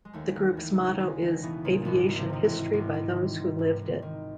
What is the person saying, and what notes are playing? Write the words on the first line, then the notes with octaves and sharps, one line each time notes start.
The group's motto is "Aviation History by those Who Lived It".
G#3
D#2 A3
D#2
E3 A3
C#3
D#2 G#3
D#2 A3
B2 E3 B3
A#2 C#3 A#3
G#1 B2 B3
G#1
C3 C4
D#3 D#4
E3 E4
G#2
G#1
G#1
D#3
G#2
G#1
G#1
D#3